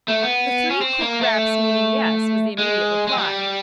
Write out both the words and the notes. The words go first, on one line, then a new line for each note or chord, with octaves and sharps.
The three quick raps meaning "Yes" was the immediate reply.
A3
B3
C#4
C4
A#3
A3
G#3
G#3
G3